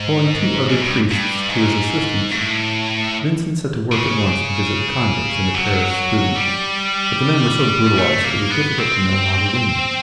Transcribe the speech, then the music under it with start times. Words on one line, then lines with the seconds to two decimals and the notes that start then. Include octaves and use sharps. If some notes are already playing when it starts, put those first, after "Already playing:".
Calling two other priests to his assistance, Vincent set to work at once to visit the convicts in the Paris prisons; but the men were so brutalized that it was difficult to know how to win them.
Already playing: G#2
0.70 G#2
0.82 G2
1.11 G2
1.49 G#2
2.31 A2
3.92 C#3
5.55 F#3
6.35 G3
7.97 A3
8.24 A#3
8.50 B3
8.78 C4